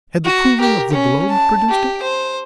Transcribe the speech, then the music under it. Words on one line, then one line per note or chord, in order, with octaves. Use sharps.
Had the cooling of the globe produced it?
F#4
G4 A#4
C#4
A5
G4
C5